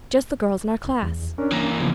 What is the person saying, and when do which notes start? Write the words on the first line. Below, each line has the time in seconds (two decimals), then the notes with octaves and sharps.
"Just the girls in our class."
0.84 C2
1.03 E2
1.38 C#4 D4 A#4
1.52 E3 A#3
1.80 C#3 F3 B3